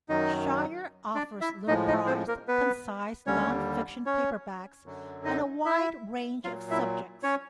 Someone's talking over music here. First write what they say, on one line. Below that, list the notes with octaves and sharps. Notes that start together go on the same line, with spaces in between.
Shire offers low priced, concise non-fiction paperbacks on a wide range of subjects.
F#2 D#3 F#3 D#4 D#5
D4 D5
E4 E5
A2 F3 G#3 D#4 D#5
D#4 D#5
C4 C5
A#3 A#4
B3 B4
D#2 D3 G3 C#4 C#5
C#4 C#5
F#2 D3 F#3
D#4 D#5
E4 E5
A#2 F#3 F4 F5
E4 E5
C#4 C#5